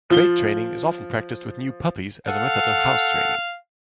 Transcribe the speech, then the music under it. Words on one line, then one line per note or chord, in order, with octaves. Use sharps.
Crate training is often practiced with new puppies as a method of house-training.
F3 F4 G7
A4 F5 F#5